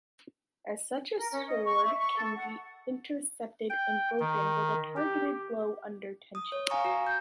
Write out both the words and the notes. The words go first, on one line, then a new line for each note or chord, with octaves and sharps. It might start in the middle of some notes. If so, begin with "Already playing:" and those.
As such a sword can be intercepted and broken with a targeted blow under tension.
A#4
C#4
D#5
C#6
E5
C#6
A4
F#5
G5
D#3
G4
D#6
C#5
F5 G#5 A#5 C#6 D#6
F#4 A#5
G6